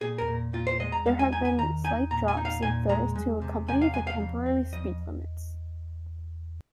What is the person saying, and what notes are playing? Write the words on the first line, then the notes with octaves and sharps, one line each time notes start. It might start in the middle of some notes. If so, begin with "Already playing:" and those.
There have been slight drops in fares to accompany the temporary speed limits.
A#2 G#4
A#4
A#2
A#2 F4
C5
G#3 D#5
A#5
G#3 F5
G#5
D#4 G#5
G#5
D#3 A#5
D#4 G#5
A#2 A#5
G#5
D#4
F5
A#2 G#5
G#3 A#5
G#3
C3
C3 G#5
F5
G#3 G#5
F5
F2
C4
F2 D#5